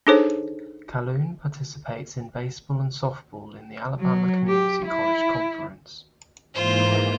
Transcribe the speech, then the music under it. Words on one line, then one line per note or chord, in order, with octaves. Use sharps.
Calhoun participates in baseball and softball in the Alabama Community College Conference.
D4 D#4 G#4 A4 C5 C#5
F#3
G4
E4
G#2 E3 A#3 F4 C5